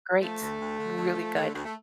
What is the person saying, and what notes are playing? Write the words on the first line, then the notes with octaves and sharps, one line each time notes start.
great, really good.
F3 A3
D2
D2
D3
D3
F3
D3
D2
A3